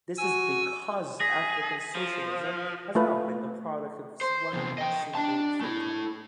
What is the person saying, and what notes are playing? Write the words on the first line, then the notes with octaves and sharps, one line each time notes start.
This is because African socialism has not been the product of one single thinker.
F#4 G#5 E6
G#4 A#6 B6
F3
A3 F4 B4
C5
E2 C3
D#5 G5
D4 A5
A3 E4